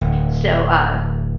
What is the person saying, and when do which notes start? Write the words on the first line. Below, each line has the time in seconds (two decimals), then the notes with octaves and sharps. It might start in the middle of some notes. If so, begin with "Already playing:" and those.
So, uh,
0.01 D1